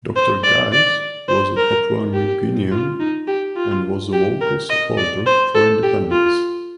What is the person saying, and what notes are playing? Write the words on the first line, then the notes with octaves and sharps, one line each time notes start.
Doctor Guise was a Papua New Guinean and was a vocal supporter for independence.
C5
D5
D5
C5
A#4
G4
F4
D#4
G4
F4
G4
A#4
D#5
D5
C5
A4
G4
F4